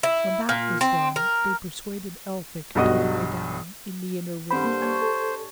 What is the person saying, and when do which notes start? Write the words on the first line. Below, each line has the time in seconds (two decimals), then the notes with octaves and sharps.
When that was done they persuaded Elphick to lie down in the inner room.
0.03 E4
0.49 A#2
0.81 C4
1.16 A#4
2.75 B1 G2 F#4 D#5 D#6
4.51 G2 D3 C4 C5 B5 D6
4.65 A#3
4.81 C#5 G#5 A5
5.02 A4